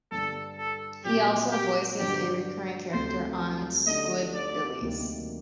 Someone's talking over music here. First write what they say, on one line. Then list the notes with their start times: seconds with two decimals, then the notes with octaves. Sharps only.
He also voices a recurring character on Squidbillies.
0.11 G2 D3 G3 A4
0.58 A4
1.04 A#2 F#3 C4 G4
1.52 G4
1.99 G2 D3 F#3 G4
2.93 D2 C3 F#3 A3 C4 C5
3.87 D3 A3 D#4 G4 D#5
4.34 D5
4.81 D2 C3 D#3 F#3 A#3